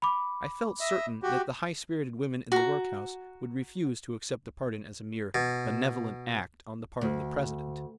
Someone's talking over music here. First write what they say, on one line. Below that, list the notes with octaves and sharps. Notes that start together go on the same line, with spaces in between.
I felt certain that the high-spirited women in the workhouse would refuse to accept the pardon as a mere "benevolent" act on the part of the President.
B5 D6
D#5 E5
F#4 G4
F#4 A#5
B2
D2